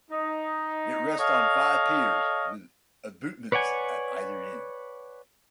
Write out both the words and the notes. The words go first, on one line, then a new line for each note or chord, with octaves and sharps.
It rests on five piers, with abutments at either end.
D#4
A4 C#5 D#5 F5
B4 C#5 D5 F#5 G#5